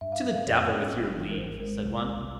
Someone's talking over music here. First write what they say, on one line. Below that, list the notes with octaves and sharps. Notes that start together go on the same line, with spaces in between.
'To the devil with your leave', said one.
G2 E5
F5
G2 E5
F5
F2 C#5
C#4
G1
E3
A#4
G#1 C5
G#3 A#4
C2
C2